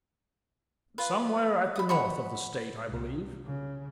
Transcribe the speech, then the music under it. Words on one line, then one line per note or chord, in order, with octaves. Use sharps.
"Somewhere at the north of the State, I believe."
F4 B4
B5 D#6
F#5 B5 C#6
C2
C#3